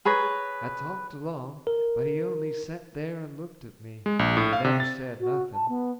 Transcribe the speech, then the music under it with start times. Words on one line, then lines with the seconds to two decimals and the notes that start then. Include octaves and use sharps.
I talked along, but he only set there and looked at me; never said nothing.
0.05 G#4 B4 C#5 A#5
1.67 A#4
4.06 G#3
4.19 A#1
4.37 A2
4.53 F5
4.65 C3
4.80 A6
5.20 F#4
5.53 A5
5.69 B3